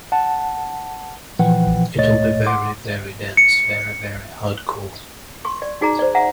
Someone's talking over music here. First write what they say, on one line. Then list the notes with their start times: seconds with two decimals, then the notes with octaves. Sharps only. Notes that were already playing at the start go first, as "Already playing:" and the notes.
It'll be very very dense, very very hardcore.
0.12 F#5 A5
1.39 A#2 E3 F3 B4 F#5 G5
1.98 C#2 A#2 A3 C#5 D#5 A6
2.46 F#5 C6 D6
3.37 C#7
5.45 C6 C#6
5.62 D5
5.81 D#4 F#4 G#4 D5 A#5
5.99 C5 D5
6.15 E5 F#5 A#5